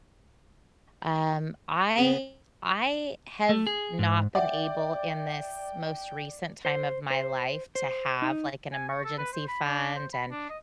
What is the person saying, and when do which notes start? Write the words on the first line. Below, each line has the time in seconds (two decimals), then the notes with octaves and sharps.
Um, I I have not been able in this most recent time of my life to have, like, an emergency fund and
1.97 C#3 B3 C4 G#4
3.49 A3
3.67 G#4
3.99 G#2
4.35 D5 E5 F#5 G5
6.65 C5
7.10 C5
7.75 C5
8.22 D#4
8.72 G#5
8.89 C#6
9.04 A4
9.18 B4
9.33 C5
9.48 B5
9.65 D4
9.96 C5
10.13 B5
10.31 D4
10.50 D#5